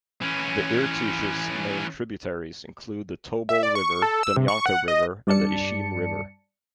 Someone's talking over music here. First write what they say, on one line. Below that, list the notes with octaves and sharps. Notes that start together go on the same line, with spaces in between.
The Irtysh's main tributaries include the Tobol River, Demyanka River and the Ishim River.
E3 C#4
E5
D5
C#6
A4
E6
C3
C#6
F#5
D#5
G2 D5 A5 C#7